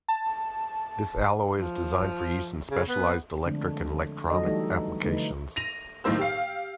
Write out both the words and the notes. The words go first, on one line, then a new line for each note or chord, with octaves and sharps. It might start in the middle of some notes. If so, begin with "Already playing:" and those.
This alloy is designed for use in specialized electric and electronic applications.
A5
F3
C#3
B3
D3 F3 G#3 A3 C4 D4
F#3 D4 F#4 A4 D#5
E3 G3 A3 D#4 G4 A4
D3 F3 A3 D#4 B4
A#6 D#7 F7
B1 A2 D#3 A#3 C5 E6
G4 F5